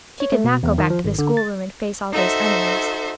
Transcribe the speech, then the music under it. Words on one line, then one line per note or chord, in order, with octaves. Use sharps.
She could not go back to the schoolroom and face all those enemies.
C#5
A3
B2
E2
D#3
F3
G#1
D3
A6
D#4 F#4 A4 C5 E5